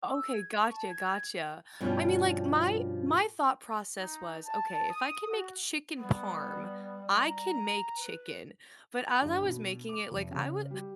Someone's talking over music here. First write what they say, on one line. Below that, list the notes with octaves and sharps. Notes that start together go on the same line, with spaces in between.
Okay, gotcha, gotcha. I mean, like, my my thought process was, okay, if I can make chicken parm, I can make chicken, but as I was making it, like, I would
E6
G#6
C#6
A5
G#6
G2 B2 F3 G3 C#4 E4
D#4
A5
D#6
F#4
G3 B3
A#5
B4
G1
B2
D6
F1
C#3
G3